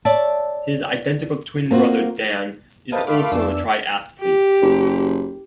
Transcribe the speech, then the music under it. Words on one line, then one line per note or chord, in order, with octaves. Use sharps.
His identical twin brother Dan is also a triathlete.
C#5 D5 E5 A5
A#3 C4 F4 F#4
F2 C3 A#3 B4 C5 D#5 A5
A3 F4 F5 B5 D6
A#4
F2 F3 B3 D4 B4 E6
G4
F#1